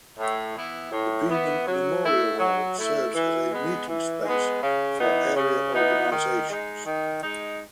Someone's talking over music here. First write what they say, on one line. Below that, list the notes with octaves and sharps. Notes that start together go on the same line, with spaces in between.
The Beaman Memorial Hall serves as a meeting space for area organizations.
A2
E3 B3 E4
A2
E3 B3 E4
F#3
A3 E4
F#3
A3 E4
E3
G#3 B3
E3
G#3 B3
C#3
E3 B3 D#4
C#3
E3 B3 D#4
D#3
G#3 D#4
D#3
G#3 D#4